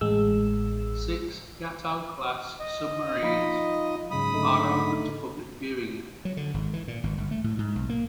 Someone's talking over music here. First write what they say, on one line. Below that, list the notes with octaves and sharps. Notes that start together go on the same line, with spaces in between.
Six "Gato"-class submarines are open to public viewing.
A1 G#3 E6
D#5
F3 D#4 F4 B5 B6
G#2 C#3 F#3 B5 D#6
D3 A3 D#4
F#3
D3
G#1
E3
A#2
G#1
G1
A3
A2
G#2
B1
A#3